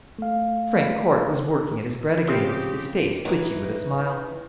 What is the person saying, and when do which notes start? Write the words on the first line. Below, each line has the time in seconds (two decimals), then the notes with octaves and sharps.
Frank Corte was working at his bread again, his face twitching with a smile.
0.19 A3 F5
2.27 C#3 F3 C4 G4
3.25 E3 D#4